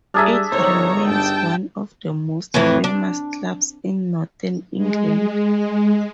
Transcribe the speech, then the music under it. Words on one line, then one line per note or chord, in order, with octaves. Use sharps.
It remains one of the most famous clubs in Northern England.
G3 D4 G#4 E5 A#5 D#6 F6
G1 D#3 C5 C#5 A#5
G2 G3 G5 A5
F2 A2 E3
D4
G#3